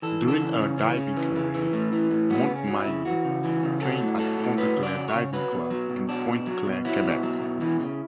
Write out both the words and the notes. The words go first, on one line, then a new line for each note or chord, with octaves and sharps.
During her diving career, Montminy trained at Pointe-Claire Diving Club in Pointe-Claire, Quebec.
E3 A4
C#3
A4
E3
C#4
C#3
E3 C#4
C#3
E3
C#3
E3
A2
E3
A2
F#3 B3
C#3
C#4
F#3
E4
C#3
E3 F#4
C#3
E3
C#3
F#3 A4
A2
F#3 A4
A2
F#3 B4
C#3
D5
F#3
C#5
C#3
F#3 B4
B2
F#3
B2
F#3 D4
B2
F#3
B2
F#3 E4
B2
F#3
B2
E3
C#3